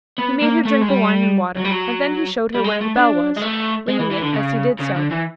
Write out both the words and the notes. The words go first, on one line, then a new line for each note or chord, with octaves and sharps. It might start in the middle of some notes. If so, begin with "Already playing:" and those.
He made her drink the wine and water, and then he showed her where the bell was, ringing it as he did so.
B3
A#3
A3
G#3
G3
F#3
G3
F#3
G3
G#3
A3
D4
G#3
A3
G#3
E3
E3
D3
C#3
C#3
D3
E3